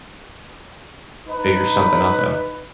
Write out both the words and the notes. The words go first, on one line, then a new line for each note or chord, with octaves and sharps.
figure something else out.
D#4 B4